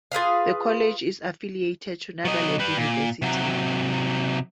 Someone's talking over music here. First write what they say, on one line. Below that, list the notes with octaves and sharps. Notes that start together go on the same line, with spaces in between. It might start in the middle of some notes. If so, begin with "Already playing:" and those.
The college is affiliated to Nagaland University.
F4 G#4 B4 F5
F#3 D#5
G3 B4
A#2
C3 F#3